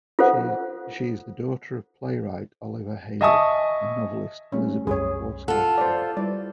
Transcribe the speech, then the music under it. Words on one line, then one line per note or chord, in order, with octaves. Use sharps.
She is the daughter of playwright Oliver Hailey and novelist Elizabeth Forsythe Hailey.
F4 A4 C5 F#5
D#5 E5 G#5 A5 C#6 D#6
G3 A3 C4 C#4
C2 F#2 G#4 C#5
F4 A4 F#5 C6 C#7
C5 D5
G3 E4 B4 D5